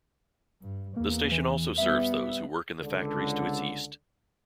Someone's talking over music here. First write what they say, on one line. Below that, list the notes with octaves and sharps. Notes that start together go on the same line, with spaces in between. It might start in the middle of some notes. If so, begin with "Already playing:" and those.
The station also serves those who work in the factories to its east.
G2
E2 A#3
E3
G3 B3 E5
C#2 D3